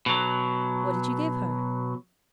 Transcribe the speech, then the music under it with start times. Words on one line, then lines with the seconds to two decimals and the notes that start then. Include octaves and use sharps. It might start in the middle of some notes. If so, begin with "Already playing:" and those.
'What did you give her?'
0.06 B2 F#3